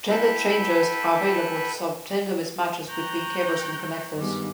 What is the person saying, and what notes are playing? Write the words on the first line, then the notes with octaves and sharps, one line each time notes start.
"Gender changers" are available to solve gender mismatches between cables and connectors.
E4 A4 B4 E5 G5 F#6
G5 A#5 C#6 F#6 G6
G2 D#3 G3 G#3 B3